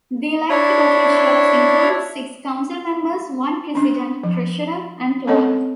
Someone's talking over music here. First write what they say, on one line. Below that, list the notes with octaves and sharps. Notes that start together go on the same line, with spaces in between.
The elected officials include: six council members, one president, treasurer and clerk.
D4 E4 C#5
C#4 D4
F3
C4 C#4 A4 C#5 D#5 F#5